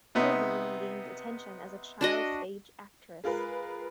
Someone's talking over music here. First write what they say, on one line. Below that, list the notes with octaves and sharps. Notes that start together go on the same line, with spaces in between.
Pilbeam gained attention as a child stage actress.
C3 B3 D#4
D4 F#4 D#5
G#3 F4 A#4 B4